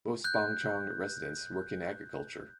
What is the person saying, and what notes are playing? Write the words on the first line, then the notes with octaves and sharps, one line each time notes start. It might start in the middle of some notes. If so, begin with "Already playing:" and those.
Most Bang Chang residents work in agriculture.
F#6 G6